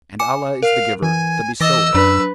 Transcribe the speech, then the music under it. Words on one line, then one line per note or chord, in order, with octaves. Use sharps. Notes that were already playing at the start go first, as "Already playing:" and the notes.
And Allah is the Giver, the Bestower!
G#5 D6 C#7
A#4 F5
E3 G#5
E3 D#5 D6 E6 A6 A#6
F#2 F#3 D4 B4